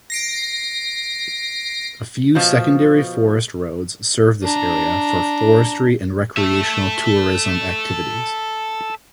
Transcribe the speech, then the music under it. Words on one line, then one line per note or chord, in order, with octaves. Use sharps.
A few secondary forest roads serve this area for forestry and recreational tourism activities.
A#6 C7 D7
B2 F3
D4 A#5
A4 E5